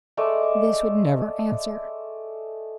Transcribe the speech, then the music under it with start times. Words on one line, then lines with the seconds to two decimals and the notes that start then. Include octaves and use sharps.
This would never answer.
0.17 G#3 A3 D5